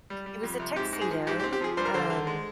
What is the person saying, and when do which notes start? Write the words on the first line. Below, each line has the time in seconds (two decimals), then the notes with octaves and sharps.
It was a tuxedo, um
0.10 G3
0.26 G3
0.43 F2
0.60 C3
0.76 G#2 G4
0.93 G#2
1.01 G#4
1.11 F3
1.27 G#2 G4
1.40 G4
1.43 C4
1.53 G4
1.61 F3 G#4
1.77 G2 C5
1.85 A#4
1.94 D3 C5
2.10 D3
2.27 G#3